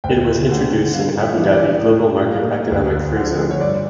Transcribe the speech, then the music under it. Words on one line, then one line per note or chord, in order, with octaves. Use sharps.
It was introduced in Abu Dhabi Global Market economic free zone.
D2 G5
D3 A3
G2 F5
E5
E3 G3
D5
A2
G3 A#3
D2
D3 F3
C#5
G2 D5